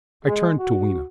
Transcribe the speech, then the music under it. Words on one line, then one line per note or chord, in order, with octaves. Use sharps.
I turned to Weena.
G#3
F#4